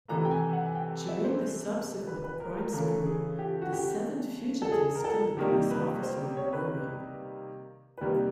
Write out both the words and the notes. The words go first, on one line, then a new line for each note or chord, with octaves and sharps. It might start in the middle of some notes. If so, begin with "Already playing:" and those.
During the subsequent crime spree, the seven fugitives killed a police officer in Irving.
C3 E3 A3 A#5
G5
G#5
F#5
G#5
G5
E5
C5
B4
B4
A#4
A#4
C#3 E3 A3 A#4
G#4
G4
F#4
G4
A4
G#4
A#4
A4
C3 D#3 G3 A#3 A#4
B4
C5
C#5
B4
B4
C3 D#3 G3 A#3 A#4